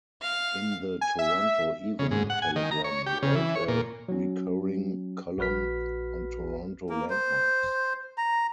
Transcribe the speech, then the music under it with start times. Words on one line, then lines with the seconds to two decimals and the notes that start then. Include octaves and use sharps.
In the Toronto Evening Telegram he wrote a recurring column on Toronto landmarks.
0.21 F5
1.01 G#5
1.19 E5
1.99 C#3
2.11 G#2
2.30 F#5
2.42 G#5
2.56 D#3
2.71 A#5
2.84 C#5
3.06 G4
3.23 C#3
3.36 E3
3.55 C#5
3.68 A#2
4.09 F#3 C#4
5.38 A#1 F#4 B4 F6 B6
6.89 A#3
7.10 C5
8.18 A#5